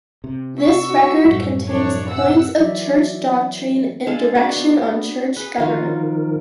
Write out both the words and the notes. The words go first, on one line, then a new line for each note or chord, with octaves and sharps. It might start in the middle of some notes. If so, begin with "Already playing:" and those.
This record contains points of church doctrine and direction on church government.
C3
A3 C#6 E6
F#4
F#2 A2 G3 A3
C2 F3 D4 C#5
C3 C4 F#5 E6
E3 F#3 E4 F#4 D5 E5
G#3 D4 A4 F5
F#4 A4 D5
B3
G#4 B4
D#3 F3 D#4 F4 F#4 A#4